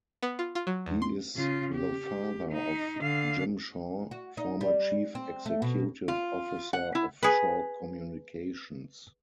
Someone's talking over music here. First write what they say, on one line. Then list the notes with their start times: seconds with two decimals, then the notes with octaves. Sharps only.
He is the father of Jim Shaw, former chief executive officer of Shaw Communications.
0.22 B3
0.39 F4
0.55 F4
0.67 F#3
0.86 E2
1.02 C6
1.35 C#3 F4
1.74 G4
2.51 D#4
3.00 D3 F5
4.11 F#4
4.37 D#4
4.61 G3
5.15 C4
5.46 A3
5.62 B2
6.08 F4
6.73 F#5
6.95 E4
7.23 G#4 B4